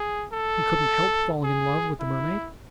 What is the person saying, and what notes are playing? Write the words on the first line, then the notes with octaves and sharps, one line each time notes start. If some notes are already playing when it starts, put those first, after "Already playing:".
"He couldn't help falling in love with the mermaid."
Already playing: G#4
A4
G#4
E4